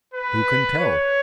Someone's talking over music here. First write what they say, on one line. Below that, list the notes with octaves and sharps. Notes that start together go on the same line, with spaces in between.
Who can tell?
B4
C#5